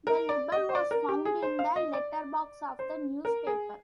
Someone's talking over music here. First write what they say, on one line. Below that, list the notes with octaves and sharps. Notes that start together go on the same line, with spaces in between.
The libel was found in the letter-box of the newspaper.
A#4
D5
D#5
C5
D5
A#4
G4
G#4
C5
F5
D#5
D5
C5
A#4
G#4